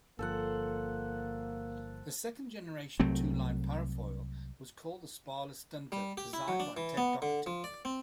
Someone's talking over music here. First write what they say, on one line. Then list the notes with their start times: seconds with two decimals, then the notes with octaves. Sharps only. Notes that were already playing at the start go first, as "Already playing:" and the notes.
The second-generation two-line parafoil was called the "Sparless Stunter", designed by Ted Dougherty.
0.19 G1 F3 A#3 A4 C5 F#5
3.00 C2 F#3 A3 C4
5.92 G3
6.17 G4
6.33 E4
6.48 F#3
6.60 D4
6.77 E3
6.97 B3
7.22 D3
7.46 F3
7.64 D5
7.85 C4